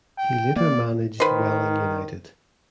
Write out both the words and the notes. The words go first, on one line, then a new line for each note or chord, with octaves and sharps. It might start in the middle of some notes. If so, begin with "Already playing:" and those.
He later managed Welling United.
G5
A#3 D5
D#3 B4 C5